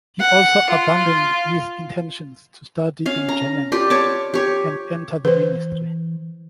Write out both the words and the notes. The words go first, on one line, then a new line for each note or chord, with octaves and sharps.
He also abandoned his intentions to study in Germany and enter the ministry.
F#5
F4
C#4 F5
A#5
F4 G4 D5
C#5 A5 D6
G4 C#5
E3 B4 C5